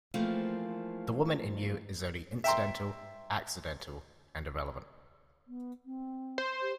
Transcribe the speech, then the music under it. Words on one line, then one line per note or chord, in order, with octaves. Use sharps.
The woman in you is only incidental, accidental, and irrelevant.
E3 F3 A3 A#3 C4 G#4
E5 G5 A#5 C6
B3
C4
C5
G4